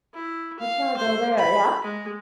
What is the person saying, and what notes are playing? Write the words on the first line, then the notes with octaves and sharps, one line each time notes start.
Let's not go there, yeah.
E4
F5
C5
B5
G#3